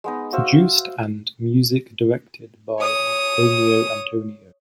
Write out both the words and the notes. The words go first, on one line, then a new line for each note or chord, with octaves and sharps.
Produced and Music Directed by Romeo Antonio.
G#3 B3 D#4
F#4 C5 E5 F5
C#5 D#6